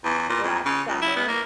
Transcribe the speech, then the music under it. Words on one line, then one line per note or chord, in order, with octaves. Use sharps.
last summer
E2
A#2
F2
C#3
C#2
E4
B3
A#3